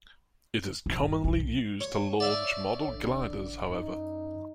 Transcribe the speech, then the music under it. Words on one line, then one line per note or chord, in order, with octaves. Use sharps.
It is commonly used to launch model gliders however.
B1
G1
B1
C#5
C#5 D5 E5 F5
A1 D3
F#2 D#4